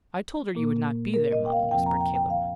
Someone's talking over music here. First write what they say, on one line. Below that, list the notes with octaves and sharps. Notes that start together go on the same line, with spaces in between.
"I told her you would not be there, mum," whispered Caleb.
A#2 A#3
A#4
D#5
G5
F5
F2 C3 F3 C4 G5
A#5
G5
G5
F5